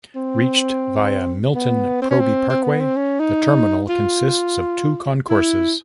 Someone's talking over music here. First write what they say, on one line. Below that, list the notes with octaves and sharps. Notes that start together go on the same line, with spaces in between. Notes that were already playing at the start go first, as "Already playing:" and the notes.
Reached via Milton Proby Parkway, the terminal consists of two concourses.
C4
B3
C4
C#4
C4
C4
B3
C4
C#4
D#4
F4
E4